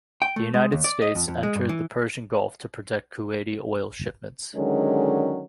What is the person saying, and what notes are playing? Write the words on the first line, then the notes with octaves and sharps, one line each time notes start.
The United States entered the Persian gulf to protect Kuwaiti oil shipments.
G5
A3
G#3
D#2
D5
D#5
F2
F2
G#3
G2
E3
D3 D#3 F#3 G#3 C#4